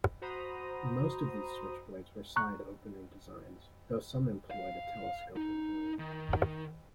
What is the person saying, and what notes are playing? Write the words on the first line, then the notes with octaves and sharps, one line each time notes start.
Most of these switchblades were side-opening designs, though some employed a telescoping blade.
F#4 C5 A#5 B5 D#6
A#5 C#6 F#6
F5
D#4
D#3